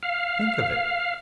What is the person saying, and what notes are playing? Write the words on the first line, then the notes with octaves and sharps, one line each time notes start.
Think of it!
F5